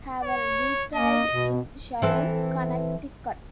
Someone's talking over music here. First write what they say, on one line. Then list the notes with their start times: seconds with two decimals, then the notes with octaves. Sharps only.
Haver retired in Sharon, Connecticut.
0.24 C#5
0.95 A#3 D#5
1.29 B2
2.02 E3 C4 A4